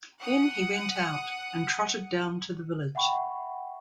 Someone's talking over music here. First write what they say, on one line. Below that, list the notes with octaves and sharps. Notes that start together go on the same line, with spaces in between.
Then he went out, and trotted down the village.
F#5 D#6
E5 F#5 G5 B5 C#6